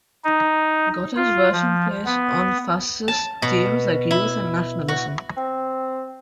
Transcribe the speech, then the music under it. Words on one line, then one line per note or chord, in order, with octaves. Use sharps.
Gotta's version plays on fascist themes like youth and nationalism.
D#4
F4
F3
B3
A5
B2
E4
F#4
C4